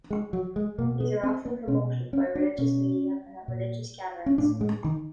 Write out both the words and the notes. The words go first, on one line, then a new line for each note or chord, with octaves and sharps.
These are often promoted by religious media and at religious gatherings.
G#3
F#3
G#3
B2 A#3
B3
C4
B3
B2 C#4
C#4
D4
B2 C#4
A#2
C#4
A2 D4
G#3
D#3